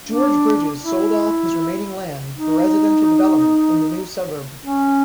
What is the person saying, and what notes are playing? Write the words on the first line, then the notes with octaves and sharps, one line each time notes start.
George Bridges sold off his remaining land for residential development in the new suburb.
D4
E4
D#4
C#4